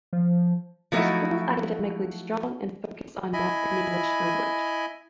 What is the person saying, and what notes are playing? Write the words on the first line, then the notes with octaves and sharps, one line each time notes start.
The school is academically strong and focus on math and English language.
F3
F3 F#3 A3 D#4 E4 F#4
E4 D#5 G#5 B5